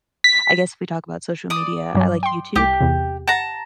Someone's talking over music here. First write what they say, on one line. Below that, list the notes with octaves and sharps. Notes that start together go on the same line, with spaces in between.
I guess if we talk about social media, I like YouTube
B6
D5 D#6
G2 F#3
G5 C6
C2 G4 D6
E2 C3
F#5 A5 A#5